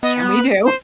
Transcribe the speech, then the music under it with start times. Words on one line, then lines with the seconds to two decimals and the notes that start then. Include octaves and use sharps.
And we do.
0.03 B3 D#5
0.34 B4
0.65 C5